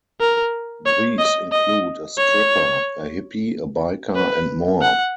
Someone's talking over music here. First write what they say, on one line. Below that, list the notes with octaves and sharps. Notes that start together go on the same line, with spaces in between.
These include a stripper, a hippie, a biker, and more.
A#4
C#5
D#5
D#5
C#5
B4
F#5